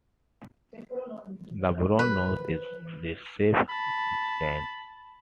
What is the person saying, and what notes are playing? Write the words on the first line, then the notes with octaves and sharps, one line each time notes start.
The brown nose is a recessive gene.
B4
A5 B5